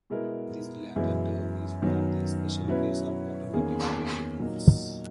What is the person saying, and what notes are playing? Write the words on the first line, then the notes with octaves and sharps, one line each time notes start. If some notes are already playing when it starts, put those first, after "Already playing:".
This latter term is for the special case of automatic variables.
B2 G#3 B3 E4 A#4
F#2 E3 G#3 B3 E4
F#2 D#3 F#3 B3
B2 F#3 C#4 E4 B4
E2 D#3 A#3 C#4 G#4
A#2 F#3 A#3 D#4